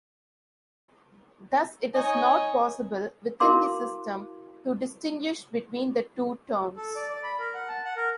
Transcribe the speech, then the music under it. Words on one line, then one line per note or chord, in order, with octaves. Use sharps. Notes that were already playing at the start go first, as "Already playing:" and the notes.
Thus it is not possible, within the system, to distinguish between the two terms.
D#4 C#5 D#5 G#5
E4 F#4 A#4 F5 C6 D6
A4
D5
D5
B5
A#4
F#5
A5
F#5
A#4